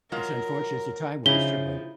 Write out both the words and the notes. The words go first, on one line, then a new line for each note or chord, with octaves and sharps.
It's unfortunate, it's a time waster, but
F#3 G#3 F4 A#4
C#3 F3 D#4 E4 G7